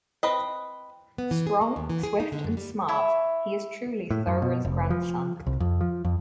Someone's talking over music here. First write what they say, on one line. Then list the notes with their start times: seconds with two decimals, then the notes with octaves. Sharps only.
Strong, swift and smart, he is truly Thowra's grandson.
0.23 C4 B4 D#5
1.18 B3
1.31 E3
1.47 G#4
1.61 A#3
1.76 D#2
1.90 E3
2.03 G#4
2.20 D#4
2.32 D3
2.44 F#2
2.57 G3
2.88 E4 C#5 E5
4.10 A2
4.27 F#2
4.42 B2
4.65 F1
4.90 F3
5.46 C2
5.60 F2
5.81 F3
6.04 F2